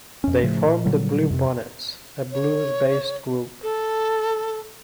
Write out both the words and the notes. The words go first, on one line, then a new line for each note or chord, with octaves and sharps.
They formed the BlueBonnets, a blues-based group.
F2 C#4
A2 C#3 F3 A3
A#2
A#2 D3 F#3 G3
F2 C3
C#5
A4